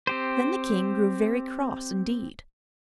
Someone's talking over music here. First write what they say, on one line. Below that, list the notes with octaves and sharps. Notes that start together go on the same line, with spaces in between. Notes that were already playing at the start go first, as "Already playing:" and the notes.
Then the king grew very cross indeed.
C4 G4 C5